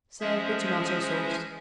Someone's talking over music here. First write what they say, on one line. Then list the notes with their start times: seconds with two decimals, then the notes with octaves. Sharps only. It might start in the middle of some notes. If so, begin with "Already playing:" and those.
Serve with tomato-sauce.
0.21 F3 G#3 C#4 G#4 C5 E5